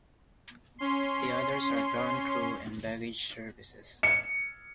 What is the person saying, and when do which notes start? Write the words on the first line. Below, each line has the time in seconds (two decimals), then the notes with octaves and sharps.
The others are ground crew and baggage services.
0.78 C#4 C6
4.03 C#7